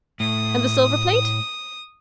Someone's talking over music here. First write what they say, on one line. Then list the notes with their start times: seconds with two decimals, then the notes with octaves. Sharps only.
"And the silver plate?"
0.20 A2 D#6